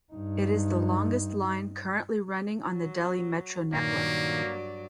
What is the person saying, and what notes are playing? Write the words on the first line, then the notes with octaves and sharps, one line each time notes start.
It is the longest line currently running on the Delhi Metro network.
G2 D#4
F#3
G2 A#2 D#3 F#3 A#3 D5